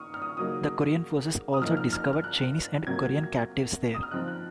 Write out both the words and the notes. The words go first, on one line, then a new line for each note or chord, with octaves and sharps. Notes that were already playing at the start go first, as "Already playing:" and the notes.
The Korean forces also discovered Chinese and Korean captives there.
Already playing: D#3 C#6 D#6 F6
F6
D#6
C#3 F#3 A#3 D#4 D#6
D#6
F3 A#3 D#4 F6
F6
F6
F6
F#6
C3 F#3 A#3 G#6
D#6
F6
F3 C4 D#4 F#6
F#6